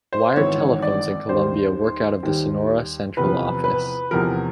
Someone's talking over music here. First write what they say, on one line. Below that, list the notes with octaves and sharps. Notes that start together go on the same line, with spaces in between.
Wired telephones in Columbia work out of the Sonora central office.
C5
G#1 G#2 E3 C#5
D5
D#2 D#3 G3 C5
D#2 D#3 G3
E2 C3 F3 B4
B4
E2 C3 F3 A#4